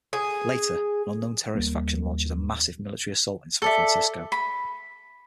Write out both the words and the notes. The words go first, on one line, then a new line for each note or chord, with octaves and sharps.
Later, an unknown terrorist faction launches a massive military assault in San Francisco.
G#4
D#2 G3 A#3
A4 D5 E5
B5